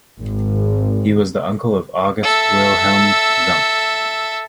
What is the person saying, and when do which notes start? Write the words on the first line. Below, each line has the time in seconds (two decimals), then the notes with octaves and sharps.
He was the uncle of August Wilhelm Zumpt.
0.20 G#1
2.23 A4 E5